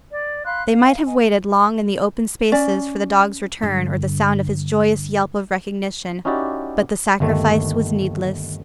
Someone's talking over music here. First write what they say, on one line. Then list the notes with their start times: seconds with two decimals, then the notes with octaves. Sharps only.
They might have waited long in the open spaces for the dog's return or the sound of his joyous yelp of recognition, but the sacrifice was needless.
0.11 D5
0.45 F5 B5 C6 F#6
0.70 F5
1.06 D#5 G#5
2.52 C#4 D5
3.62 G2 D3
6.25 C#4 D#4 E4 F#4 G4 D5
7.20 G1 D#2 D#3 A3